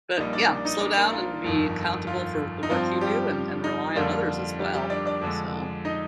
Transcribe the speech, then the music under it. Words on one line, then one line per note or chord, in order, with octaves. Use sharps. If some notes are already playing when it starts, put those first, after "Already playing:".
but, yeah. Slow down and be accountable for the work you do and and rely on others as well, so
A#1 A#2 G3 D#4 D#5
D4 D5
D#4 D#5
D4 D5
A#3 A#4
F4
G1 F2 D#3
F4
D#4
G2 F3 C4 F4
G3 G4
D#4
F2 D3 G3 A#3 F4
G3 G4
G3 G4
D4 D5
D4 D5
F2 D3 G#3
D#4 D#5